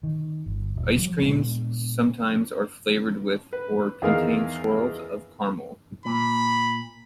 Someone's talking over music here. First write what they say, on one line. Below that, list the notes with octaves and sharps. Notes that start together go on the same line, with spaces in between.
Ice creams sometimes are flavored with or contain swirls of caramel.
D#3
G1
D#1
F3 F#3
A#2 G#3 B3 D4
B4
E2 D#3 G#4 A#4 D#5 F5
A#2 B5